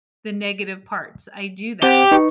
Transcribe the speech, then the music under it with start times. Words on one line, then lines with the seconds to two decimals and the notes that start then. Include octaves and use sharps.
the negative parts, I do that.
1.83 C4 G4 C5 F#5
2.12 D#4 B4 C#6